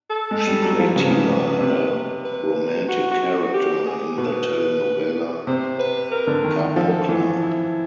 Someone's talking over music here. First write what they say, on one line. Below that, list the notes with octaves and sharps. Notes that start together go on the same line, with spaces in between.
She played Tina, a romantic character, in the telenovela Cabocla.
A4
G#3
G3
F#3
F3
C#3 B4
C3
C#3
C3
B4
F#4
F#4
F#4
F#4
G4
G#4
B2 B4
C3 C5
B4
A#4
D3
D#3
F3 A4
E3
E4